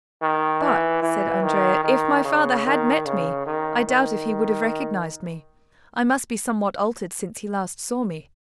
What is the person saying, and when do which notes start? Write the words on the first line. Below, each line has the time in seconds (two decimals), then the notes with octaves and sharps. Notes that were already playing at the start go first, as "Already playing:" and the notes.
"But," said Andrea, "if my father had met me, I doubt if he would have recognized me; I must be somewhat altered since he last saw me."
0.22 D#3
0.63 E3
1.03 E3
1.44 D#3
1.84 D#3
2.25 C#3
2.66 D#3
3.06 C#3
3.46 D#3
3.87 D#3